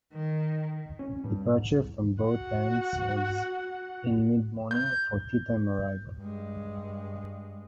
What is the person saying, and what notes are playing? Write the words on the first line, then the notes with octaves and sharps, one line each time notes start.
Departure from both ends was in mid-morning, for a teatime arrival.
D#3
C#4
G2
G#2
C2
F#4 F#5
G6
G2 G#3